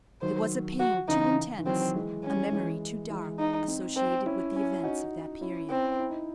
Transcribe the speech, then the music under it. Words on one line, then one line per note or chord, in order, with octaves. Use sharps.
There was a pain too intense, a memory too dark, associated with the events of that period.
D#3 F#3 C5
F#4
C#3 E3 D#4
E3
D#3 F#3 C4
E3 G#3
C#4
E3 G#3
E3 G#3
D#4
C4 D#4
C4
C#4 E4
C#4
D#4 F#4
C#4 E4
C4
E4
D#4